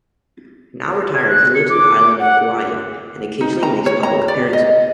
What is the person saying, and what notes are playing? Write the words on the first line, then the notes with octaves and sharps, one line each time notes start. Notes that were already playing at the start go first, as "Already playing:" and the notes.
Now retired, he lives on the island of Kaua'i and occasionally makes public appearances.
G#6
F#6
C#7
D6
F#5
D#4
A#5
C#5
A#5
D5
D#5